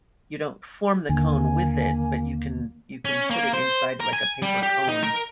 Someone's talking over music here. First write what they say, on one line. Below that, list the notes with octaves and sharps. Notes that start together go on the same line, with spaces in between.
You don't form the cone with it, but you can you can put it inside like a paper cone
D#2 D3 A#3 G#5
C#4
A#3
C5
A#4
G#5
G3
G4
D#4
A#4